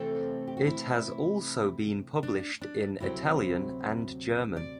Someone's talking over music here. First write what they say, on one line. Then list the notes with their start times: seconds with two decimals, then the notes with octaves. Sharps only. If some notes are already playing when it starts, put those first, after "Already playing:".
It has also been published in Italian and German.
Already playing: C3 E3 A3 C4 A4
0.47 G4
0.57 F#4
0.67 E4
2.23 D4
2.61 D4
3.00 D2 C3 F#3 C4 E4
4.57 D5